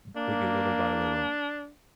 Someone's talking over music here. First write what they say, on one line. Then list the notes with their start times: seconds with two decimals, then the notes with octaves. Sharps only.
M take it little by little.
0.16 A#3 D4